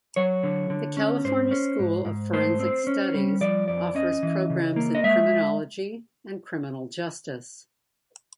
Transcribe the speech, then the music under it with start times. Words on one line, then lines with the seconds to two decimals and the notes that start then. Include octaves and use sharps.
The California School of Forensic Studies offers programs in criminology and criminal justice.
0.16 F#3 C#5
0.43 D3
0.70 D3
0.97 C#4
1.24 G#2 C5
1.51 C#4
1.79 G#2
2.05 G#2
2.33 A3 C5
2.59 C4
2.87 C#4
3.14 G3
3.41 F3 D5
3.68 F2 D5
3.95 C#4 D#5
4.23 E3
4.50 C#3
4.76 A#3
4.95 D#5
5.04 G#3 E5